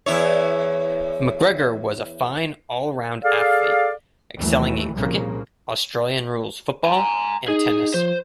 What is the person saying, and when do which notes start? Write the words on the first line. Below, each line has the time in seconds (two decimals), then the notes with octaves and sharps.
McGregor was a fine all-round athlete, excelling in cricket, Australian rules football, and tennis.
0.06 E2 E4 C#5
3.23 G#4 A4 D5 F5
4.37 D#2 E3 F#3 A3
4.94 C2 A#2 C#3 F3 A#3
6.85 G#5 A#5
7.48 D#4 G#4
7.94 F3 C5